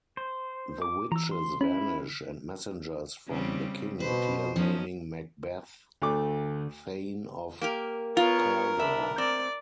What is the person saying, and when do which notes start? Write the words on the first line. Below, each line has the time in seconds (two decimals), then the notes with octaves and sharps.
The witches vanish, and messengers from the king appear naming Macbeth Thane of Cawdor.
0.17 C5
0.82 D6
1.12 E3 A#5 E6
1.31 C6
1.61 C#4 E4 B5
3.28 C#3 G3 C4
4.00 B2 B4 C5
4.56 F3 B3 C#4 D#4
6.02 D2 D3 A3 D6
7.61 A#3 G4 A#4
8.17 B3 F4 A#4 C#5
8.79 D4 E5 B5
9.18 C4 D5